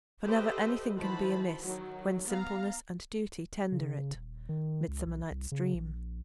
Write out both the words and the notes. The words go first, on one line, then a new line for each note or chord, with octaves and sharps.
'For never any thing can be amiss When simpleness and duty tender it.' MIDSUMMER NIGHT'S DREAM.
G4 A4 B4 C5 D#5 E5
D#3 E3 F#4 C5 A5 B5
D#3 F#3
B3 F5 A#5
C#3
D#1
D#3
C#2
B1
C2
C#3
A#1